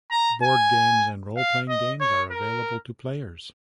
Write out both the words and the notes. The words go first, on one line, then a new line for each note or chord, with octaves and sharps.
Board games and roleplaying games are available to players.
A#5
G#5
F5
D#5
C#5
A#4